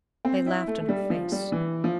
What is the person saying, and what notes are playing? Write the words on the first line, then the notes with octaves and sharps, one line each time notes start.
They laughed in her face.
C4
E4
A3
A3
G3
F3
G3
E3
F3